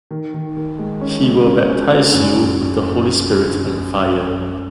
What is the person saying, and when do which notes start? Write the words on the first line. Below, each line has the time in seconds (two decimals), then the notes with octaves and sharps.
He will baptize you with the Holy Spirit and fire.
0.11 D#3
0.34 D#3
0.57 D#3
0.79 G#3
1.01 C#4
1.23 G#3
1.46 C#4
1.69 C#4
1.91 C#4
2.14 F#2